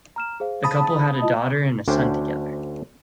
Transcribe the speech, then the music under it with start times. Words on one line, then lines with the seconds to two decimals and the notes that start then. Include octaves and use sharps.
The couple had a daughter and a son together.
0.16 A#5 F6 E7
0.40 G#4 C5 F5
0.64 A5 B5 D#6
1.22 E4 F4 D#5
1.88 D2 D3 C#4 D4 C5 G5